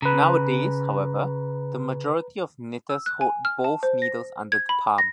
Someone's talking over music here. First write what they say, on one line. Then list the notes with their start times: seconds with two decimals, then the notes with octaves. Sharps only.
Nowadays, however, the majority of knitters hold both needles under the palm.
0.02 C#3 B4 A#5
2.89 E6
3.06 F#6
3.21 G#5
3.45 F6
3.64 A5
3.83 C5
4.02 A#6
4.52 G#6
4.69 B5
4.98 A#6